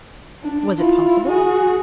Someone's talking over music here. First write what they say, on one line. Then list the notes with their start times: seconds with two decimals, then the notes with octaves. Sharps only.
Was it possible?
0.43 D4
0.78 E4 F4
1.26 F#4 G#4